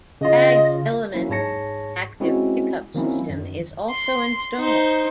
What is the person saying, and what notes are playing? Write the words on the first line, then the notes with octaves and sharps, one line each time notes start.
Baggs Element Active pickup system is also installed.
C#3 F4 D#5
F#3 A#3 C#4 E4
G#2 G#4 C#5 A5 A#6 C#7
G#3 C4 C#4 E4 F#4 G#4
D#3 F#3 A#3 C4 C#4 E4
F#2 D#3
C6
D#4 C5